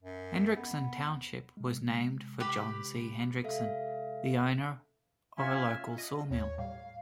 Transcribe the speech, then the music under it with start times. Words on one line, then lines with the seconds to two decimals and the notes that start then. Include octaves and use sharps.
Hendrickson Township was named for John C. Hendrickson, the owner of a local sawmill.
0.03 F#2
0.56 B3
1.57 C3 G#3
2.40 G4 B4
3.44 A4 E5 F5
5.38 C#4 F4 C#5 E5 G#5
5.98 D#5
6.31 D#2 C#5
6.58 A2 G3 F5